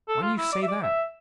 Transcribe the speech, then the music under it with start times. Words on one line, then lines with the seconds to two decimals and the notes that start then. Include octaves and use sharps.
"Why do you say that?"
0.08 A4
0.22 F4
0.38 E4
0.52 D5
0.62 E5
0.68 D5
0.82 E5